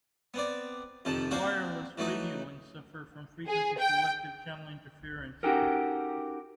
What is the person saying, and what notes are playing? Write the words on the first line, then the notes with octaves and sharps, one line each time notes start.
Wireless radio links suffer from frequency-selective channel interference.
B3 C4 D5
F2 C3 D#3 F3 A5
A#3 C4 D4 F#4 A#4 C5
E3 F#3 A3 D#4
G#4
G5
C#4 D#4 F#4 G4 A4 A#4